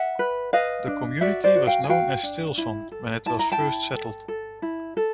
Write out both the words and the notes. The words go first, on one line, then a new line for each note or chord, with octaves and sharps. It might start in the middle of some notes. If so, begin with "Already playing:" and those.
The community was known as Stilson when it was first settled.
Already playing: E5 F#5
B4
B4 D#5 F5
D4
F#4 D5 E5
C5 D5
F#4
F5 G5
G#5
F#4 F5 G5
D4
E4
A4
E4 A5
A#5
G5 A5
E4
A4
A4
E4
A4